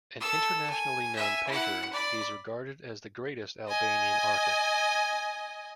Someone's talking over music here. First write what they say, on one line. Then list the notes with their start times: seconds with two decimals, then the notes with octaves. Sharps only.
An internationally known painter, he is regarded as the greatest Albanian artist.
0.20 A4 E6
0.70 G#5
1.15 E5 G#5
1.48 E4 F#5
1.92 D5 B5
3.68 D#5 G#5